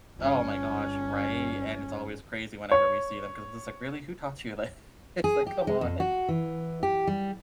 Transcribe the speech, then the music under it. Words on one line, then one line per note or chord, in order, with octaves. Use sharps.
Oh my gosh, right? And it's always crazy whenever we see them 'cause it's just like, "Really? Who taught you?" Like, it's like, "Come on."
G1 C#4
C#5
G#4
G4
G#3
F2
F#4
E3
G4
G3